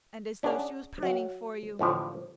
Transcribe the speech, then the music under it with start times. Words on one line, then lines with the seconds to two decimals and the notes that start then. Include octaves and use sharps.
"And as though she was pining for you."
0.43 C#4 D4 G#4 F#5
1.03 F#3 F#5
1.79 A1 A2 D3 F3